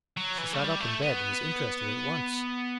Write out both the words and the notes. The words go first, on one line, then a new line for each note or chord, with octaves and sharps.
She sat up in bed, and was interested at once.
F#3
E3
A3
G3
A3
B3